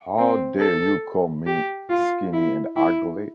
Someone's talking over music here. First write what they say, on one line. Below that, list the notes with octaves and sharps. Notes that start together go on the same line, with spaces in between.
How dare you call me skinny and ugly?
C4
A4
G4
F4
E4
E4